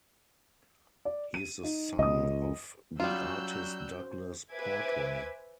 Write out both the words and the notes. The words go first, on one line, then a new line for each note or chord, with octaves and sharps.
He is the son of the artist Douglas Portway.
D5
D#7
D#4
C#2 D#5 D#6
F#3 G3 C#4 F4 F#4 E6 F#6 G6
C5
B4 C5 E5 G#5 D6 G#6